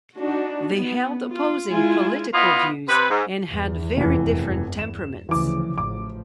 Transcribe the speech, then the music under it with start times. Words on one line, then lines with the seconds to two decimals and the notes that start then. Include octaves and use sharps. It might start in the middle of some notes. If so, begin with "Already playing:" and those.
They held opposing political views and had very different temperaments.
0.19 D4 D#4 F#4
0.76 B3
1.33 F4
1.68 G#3 E4 F4 G#5
2.34 B3 E4 F4 D#5
2.89 C3 B4
3.10 G#2
3.51 E2 G2
3.97 F1 E3
4.79 E7
5.29 D2 C#3 E3 F3 D6
5.78 A1 F3 D6